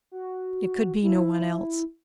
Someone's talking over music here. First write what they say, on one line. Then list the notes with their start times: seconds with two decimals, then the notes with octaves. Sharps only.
It could be no one else.
0.11 F#4
1.03 E4